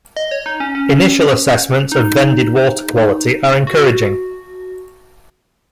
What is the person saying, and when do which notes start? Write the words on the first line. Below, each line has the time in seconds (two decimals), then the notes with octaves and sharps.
Initial assessments of vended water quality are encouraging.
0.17 D#5
0.31 C#5
0.46 D#4
0.60 C#4
0.75 C#4
1.92 D#4
3.67 F#4